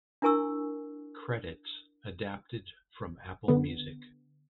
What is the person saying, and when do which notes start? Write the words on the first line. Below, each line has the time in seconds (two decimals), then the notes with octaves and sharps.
Credits adapted from Apple Music.
0.22 D4 E4 A#4 G#5 C#6 E6
3.48 D3 B3